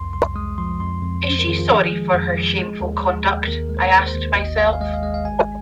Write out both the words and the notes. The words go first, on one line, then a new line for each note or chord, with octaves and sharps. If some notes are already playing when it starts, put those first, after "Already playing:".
Is she sorry for her shameful conduct? — I asked myself.
Already playing: C2 F2 C6
C2 C6
G#3 D#6
F3 C6
F2 C6
F2
F2 C5
A#4
D#3 G#4
F4
F3 G#4
G#3
F2
F3
G#3
D#2
G#3
D#2
D#2 A#4
G#3
C5
D#2
C5
D#2
G#1 D#5
G#1 F5
G#5
F5
G#3 D#5
F5
G#3 D#5
F5
G#1 G#5